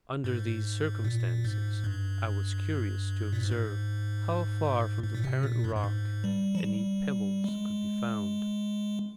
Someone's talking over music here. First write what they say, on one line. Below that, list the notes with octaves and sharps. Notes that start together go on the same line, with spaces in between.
Under these circumstances I was curious to observe how far from the parent rock any pebbles could be found.
G#2
A#2
G#2
G2
A#2
G#2
G#2
A#2
C3
A#2
G2
G2
G#2
G3
F3
G3
G#3